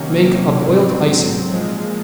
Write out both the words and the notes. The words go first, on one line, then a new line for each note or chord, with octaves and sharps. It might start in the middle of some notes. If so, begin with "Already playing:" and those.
Make a boiled icing.
Already playing: C3 D#3 F#3 A#3 C#4
G#2 F#3 C4
A#2 F3 G#3